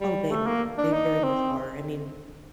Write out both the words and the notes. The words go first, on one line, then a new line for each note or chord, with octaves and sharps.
Oh, they are. They very much are. I mean,
G3
A3
A#3
D4
D#4
C4